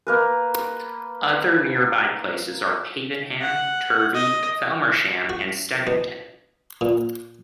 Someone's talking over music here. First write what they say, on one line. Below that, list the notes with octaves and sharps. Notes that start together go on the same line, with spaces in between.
Other nearby places are Pavenham, Turvey, Felmersham, and Stevington.
A#3 A#4 B4
F#5
D#5
F#4
B2
A#2